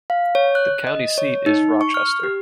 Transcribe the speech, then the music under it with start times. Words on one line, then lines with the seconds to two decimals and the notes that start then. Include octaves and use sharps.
The county seat is Rochester.
0.10 F5
0.35 C#5
0.55 F#6
0.87 D#5
1.18 C#5
1.46 D#4
1.81 C#6
1.94 F6
2.24 G4